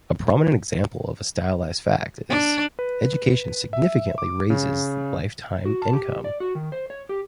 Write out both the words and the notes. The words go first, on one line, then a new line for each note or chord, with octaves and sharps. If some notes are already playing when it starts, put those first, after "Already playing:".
A prominent example of a stylized fact is: Education significantly raises lifetime income.
D4
B4
E5
D6
C#3
F#4
A5
G4
D5
F#4
D#3
C5
C#5
G4